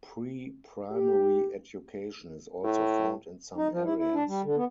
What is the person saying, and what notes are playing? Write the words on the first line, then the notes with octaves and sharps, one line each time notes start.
Pre-Primary Education is also found in some areas.
G4
A2
D#4
F3
E4
E4
D4
G3
D3
B3